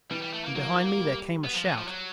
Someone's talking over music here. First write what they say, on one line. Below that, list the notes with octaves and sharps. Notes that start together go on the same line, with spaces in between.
From behind me there came a shout.
E3 G3
G3
A3
A#3
F#3 A#3
G3
B3
F3
E3
F3
F#3